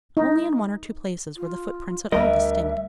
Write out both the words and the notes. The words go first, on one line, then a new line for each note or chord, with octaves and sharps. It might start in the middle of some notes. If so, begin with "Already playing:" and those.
Only in one or two places were the footprints at all distinct.
D#4
F4
D2 G3 A#4 D#5 E5